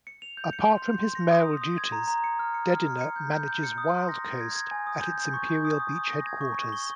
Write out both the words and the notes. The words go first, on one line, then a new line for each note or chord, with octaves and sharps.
Apart from his mayoral duties, Dedina manages Wildcoast at it's Imperial Beach headquarters.
C#7
F7
G6
C#7
C6
G6
C6
A#6
D#6
D#6
D#6
G#6
A#5
A#5
C#7
F6
C#7
F6
F6
C#7
G6
G6
G6
C#7
D#6
C6
A#6
A#6
G#6
G#6
G#5
D#6
G6
G6
C#6
G6
D#6
D#6
D#6
A#6
G#6
C#6
C#6
G7